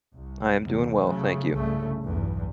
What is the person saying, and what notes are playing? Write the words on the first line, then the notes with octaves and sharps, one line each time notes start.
I am doing well, thank you.
C2
E2 G#2 C3
C#3 F#3 A3
C2 G2 C#3 A3
B1 E2 G2